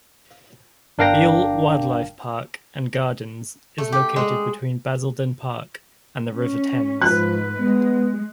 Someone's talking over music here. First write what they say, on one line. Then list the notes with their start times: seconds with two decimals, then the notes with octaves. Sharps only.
Beale Wildlife Park and Gardens is located between Basildon Park and the River Thames.
0.98 G1 D4 A#4 F5 G5 A#6
3.78 A3
3.92 G4
4.16 G#3
6.32 C#4
7.02 G#2 F3 B4 F#6
7.59 G#3 B3